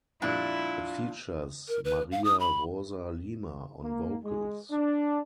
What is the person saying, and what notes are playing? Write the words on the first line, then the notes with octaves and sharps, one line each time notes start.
It features Maria Rosa Lima on vocals.
F2 A#2 G3 D4 E4 F4
A#4
B4
F5
D#6
B5
A#3
G#3
D4